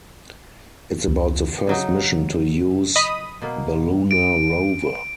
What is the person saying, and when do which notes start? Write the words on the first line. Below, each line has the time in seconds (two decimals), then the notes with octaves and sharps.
It’s about the first mission to use the lunar rover.
1.08 C#2
1.67 C#3 F#3 D#4
2.96 D#5 B5 D#6
3.42 B2 A#3
4.11 D7